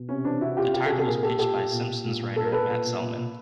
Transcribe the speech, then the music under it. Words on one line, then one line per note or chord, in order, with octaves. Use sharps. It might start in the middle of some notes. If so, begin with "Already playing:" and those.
The title was pitched by "Simpsons" writer Matt Selman.
Already playing: B2
C3 C#4
E3 C4 D4
C3 E4 F#4
C3 F4 G4
C3 F4 G4
A4
C3 F#4 G#4
A4
A#2 G#4 A#4
A#2 G4 A4
A#2 G4 A4
A#2
A#2
A#2
A#2
A#2
A#2 A4
A#4
A#2 A4 B4
A#2
A#2
A#2
A#2